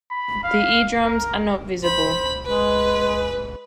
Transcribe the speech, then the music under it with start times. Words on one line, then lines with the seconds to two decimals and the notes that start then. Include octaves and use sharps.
The eardrums are not visible.
0.11 B5
0.44 F5
1.04 A#4
1.84 C5 B5
2.46 G#3 B4